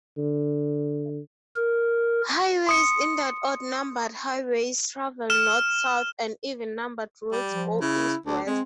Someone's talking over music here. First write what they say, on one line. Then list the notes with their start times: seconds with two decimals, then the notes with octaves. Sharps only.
Highways in that odd numbered highways travel north-south and even numbered routes go east-west.
0.17 D3
1.56 A#4
2.67 C6 D#6 C#7
5.30 F6 E7
7.32 G3
7.50 F3
7.81 C#3 E4
8.26 D2 D4
8.47 G#3 C4